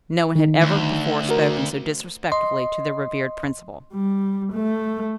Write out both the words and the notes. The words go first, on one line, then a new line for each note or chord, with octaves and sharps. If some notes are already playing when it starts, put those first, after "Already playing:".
No one had ever before spoken so disrespectfully to their revered principal.
D#3 D#4
D2
F#4 A#4
D#5 C6
G3
A3